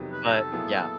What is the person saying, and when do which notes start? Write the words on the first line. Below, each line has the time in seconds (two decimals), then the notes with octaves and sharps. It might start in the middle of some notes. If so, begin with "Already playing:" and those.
but yeah.
Already playing: F2 C3 D#3 F#3 B3
0.13 B4
0.25 A#4
0.32 A4
0.52 A#2 F#3 B3 E4 G#4